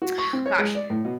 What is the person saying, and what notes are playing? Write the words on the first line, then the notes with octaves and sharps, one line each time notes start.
ugh, gosh,
F#4
C#6
C4
C#5
G#3
D5
A2
B2